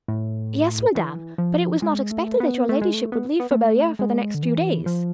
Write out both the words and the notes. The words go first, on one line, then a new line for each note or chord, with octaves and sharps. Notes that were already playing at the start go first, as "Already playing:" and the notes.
"Yes, madame; but it was not expected that your ladyship would leave for Belliere for the next few days."
A2
E3
F3
G#3
A3
B3
A3
G#3
A3
B3
B3
B3
A3
G#3
D3
E3
F3